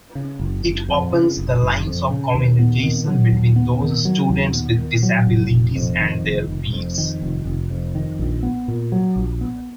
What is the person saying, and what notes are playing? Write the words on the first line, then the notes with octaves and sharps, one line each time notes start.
It opens the lines of communication between those students with disabilities and their peers.
C#3
F#1
F#1
F2
C#3
F#1
F#1
F2
C#3
D#2
B3
D#3
F#3
D#2
B3
D#3
F#3
D#2
B3
D#3
F#3
F1
F1
F2
D#3
F1
F1
F2
D#3
F1
F1
F2
D#3
A#1
B3
A#2
F#3
A#1
B3